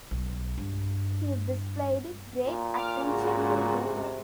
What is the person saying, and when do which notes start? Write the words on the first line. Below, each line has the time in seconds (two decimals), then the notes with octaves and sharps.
He displayed great attention to detail.
0.11 B1
0.58 G2
2.46 A#2
2.76 D6 F6
3.05 G#2 C#3 F#4
3.82 C3